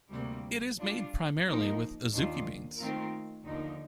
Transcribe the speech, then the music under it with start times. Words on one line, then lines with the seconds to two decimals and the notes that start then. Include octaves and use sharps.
It is made primarily with azuki beans.
0.12 D2 C3 G3 A#3
0.78 G3 D4 F4
1.45 F3 A#3 D#4 A#4
2.12 D#2 D#3 A#3 D4 F4
2.78 D#3 A3 C4 F4 A#4
3.44 D#2 D3 F3 A#3 D#4